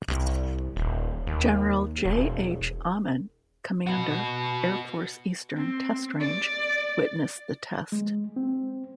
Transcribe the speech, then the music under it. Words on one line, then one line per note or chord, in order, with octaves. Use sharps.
General J. H. Ahmann, Commander, Air Force Eastern Test Range, witnessed the test.
C2
D#1
D#2
E1
F#4 B4
C4
D5
G#3
C4